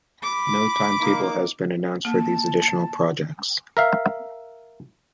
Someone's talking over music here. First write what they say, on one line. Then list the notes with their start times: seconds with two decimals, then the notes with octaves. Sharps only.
No timetable has been announced for these additional projects.
0.24 B5 D6
1.01 A#3 D#4
2.05 A#3 A5
3.77 A#4 E5 F5